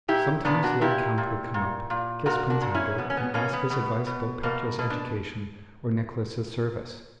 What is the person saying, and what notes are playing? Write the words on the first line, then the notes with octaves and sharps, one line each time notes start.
Sometimes the old count would come up, kiss Prince Andrew, and ask his advice about Petya's education or Nicholas' service.
A#2 E4 G4
A#2 B3 D4
D4 F#4
A#2 E4 G4
A#2
A#2
A#2
A#2 F#4 A#4
D4 F#4
A#2
C#4 E4
B2 B3
C#4
B3
B2 A#3 C#4
B3
B2 B3
B2
B2 A#3
B2
D4